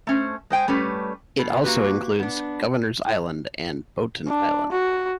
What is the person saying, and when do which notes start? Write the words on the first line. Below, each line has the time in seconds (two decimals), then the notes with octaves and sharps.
It also includes Governors Island and Boughton Island.
0.07 A3 C#4 C5
0.50 G#3 C5 G5 G#5
0.68 G3 A3 C#4 G4 B4
1.39 B2
1.64 A#3 F#4 G4 B4
2.19 B3 D4
4.27 D4
4.72 F#4